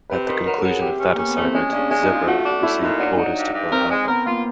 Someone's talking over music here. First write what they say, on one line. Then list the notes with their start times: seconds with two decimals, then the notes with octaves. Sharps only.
At the conclusion of that assignment, "Zebra" received orders to Pearl Harbor.
0.10 C3 B4
0.27 D#3 B4
0.46 F#3 A#4
0.58 A4
0.64 F#3
0.70 G#4
0.82 C3 G4
1.00 C#4
1.15 A#3 C#4
1.28 B3
1.36 A3
1.42 C4
1.55 G#3 C#4
1.73 C#3 D4
1.91 G#3 C#4
2.03 D#4
2.09 F3
2.15 F4
2.27 A3 F#4
2.39 F#4
2.45 D4
2.51 F#4
2.63 A3 E4
2.82 A#2 D#4
3.00 F#3 D4
3.17 F#3 D#4
3.36 G2
3.53 G2
3.71 C4 A#4
3.90 G#3
4.08 B3 A#4
4.26 A#3 F4